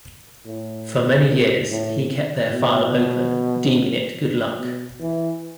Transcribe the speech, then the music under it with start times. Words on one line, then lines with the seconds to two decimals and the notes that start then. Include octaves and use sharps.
For many years, he kept their file open, deeming it good luck.
0.46 A2
1.28 A#2
1.69 A2
2.52 B2
4.59 B2
5.01 E3